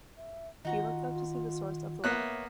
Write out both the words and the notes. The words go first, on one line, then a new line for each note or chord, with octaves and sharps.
He looked up to see the source of the light.
E5
D#3 D#4 F4 F#4 A#5
A#3 B3 C#5 E5 F#6